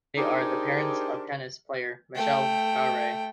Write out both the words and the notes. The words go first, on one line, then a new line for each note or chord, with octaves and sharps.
They are the parents of tennis player Michelle Bowrey.
D4 D#4 G4 G#4 A#4 C5
A3 G5